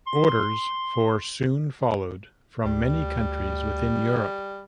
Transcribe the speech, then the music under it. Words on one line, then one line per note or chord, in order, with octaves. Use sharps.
Orders for soon followed from many countries within Europe.
C6
D2 G3